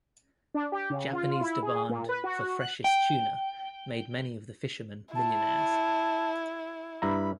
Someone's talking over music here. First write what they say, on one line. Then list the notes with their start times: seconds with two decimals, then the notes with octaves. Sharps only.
Japanese demand for freshest tuna made many of the fishermen millionaires.
0.54 D4
0.72 G4
0.90 C#3
1.13 F4
1.41 E4
1.62 G#4
1.89 A#2
2.09 B4
2.24 F#4
2.61 F#6
2.84 G5
5.15 E4 A5
7.02 G2 E4 A#5 B5